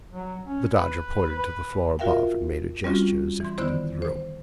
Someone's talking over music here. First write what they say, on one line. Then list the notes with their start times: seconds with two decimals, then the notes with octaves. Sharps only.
The Dodger pointed to the floor above, and made a gesture, as if to leave the room.
0.10 F#3
0.45 C#4
0.74 B4
1.39 B4
1.99 F4 F#4 A#4 E5 F5 G5
2.84 G3 C4 C#4 F4 F#4
3.40 E3 C6
3.58 D3 D#3 B3 E4 C5
4.02 C5